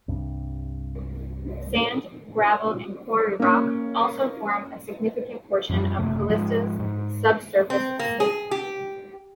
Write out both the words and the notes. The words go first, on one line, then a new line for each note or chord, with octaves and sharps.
Sand, gravel, and quarry rock also form a significant portion of Calista's subsurface estate.
C2 G2
A#3 C#4
F#2 F3 G3
F#1 D#2 C3 A3
G#2 F3 G#3
G#2
C4
A#3
G#4
G4